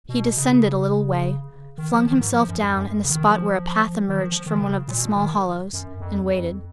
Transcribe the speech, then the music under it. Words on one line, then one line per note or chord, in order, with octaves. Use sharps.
He descended a little way, flung himself down in a spot where a path emerged from one of the small hollows, and waited.
B2
C#3
D#3
F3
D#3
G#2
F3
F#2
F#2
F#2
C#3
D#3
F3
D#3
F3
F3
D#3
C#3
A#2
B2
A#2
D#3
F#2
F2
F2